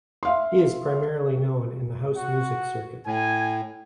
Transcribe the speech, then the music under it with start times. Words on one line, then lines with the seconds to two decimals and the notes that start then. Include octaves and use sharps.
He is primarily known in the house music circuit.
0.23 E5 F5 C6
2.16 F#4 F#5
3.06 A2 G#5